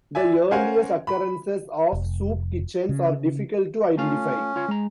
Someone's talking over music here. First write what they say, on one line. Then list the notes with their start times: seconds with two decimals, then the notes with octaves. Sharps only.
The earliest occurrences of soup kitchens are difficult to identify.
0.15 D5 E5 G#5
0.51 C#4 A#4 C5 F5 F#5 G#5
1.07 B5
1.93 F1
2.89 C#3
3.98 A3 C#4 F4 F5
4.56 F4 C#5
4.68 G#3 A#5